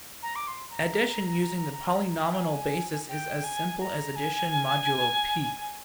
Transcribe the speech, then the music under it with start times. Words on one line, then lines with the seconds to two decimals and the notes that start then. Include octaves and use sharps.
Addition using the polynomial basis is as simple as addition modulo "p".
0.22 A#5
0.35 D6
0.47 C6
0.70 A#5
2.29 G5
2.37 G#5
3.09 G5
3.44 G#5
3.80 A#5
4.16 G#5